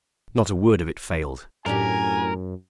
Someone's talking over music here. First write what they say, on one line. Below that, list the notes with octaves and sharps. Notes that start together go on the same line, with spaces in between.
Not a word of it failed.
F#2 A2 D4 G4 A#4 G#5